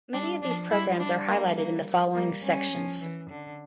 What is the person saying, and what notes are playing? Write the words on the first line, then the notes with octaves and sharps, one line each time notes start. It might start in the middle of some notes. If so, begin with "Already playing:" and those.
Many of these programs are highlighted in the following sections.
G3 D4
F3 D4
G3 E4
G3 D4
A#3
A#3
G3 A#3
G3 C#4
F3
E3
D3